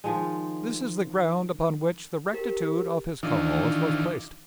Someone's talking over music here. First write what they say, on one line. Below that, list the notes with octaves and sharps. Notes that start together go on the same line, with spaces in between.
This is the ground upon which the rectitude of his cause was placed.
D#3 F3 G#3
G4 A#4
D#3 E3 D4 D#4 F4